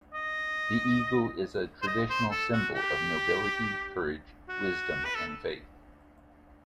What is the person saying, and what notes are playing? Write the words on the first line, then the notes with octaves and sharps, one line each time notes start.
The eagle is a traditional symbol of nobility, courage, wisdom, and faith.
D#5
C5
D#5
C5
A4
F#4
G4
F#4
B4
A4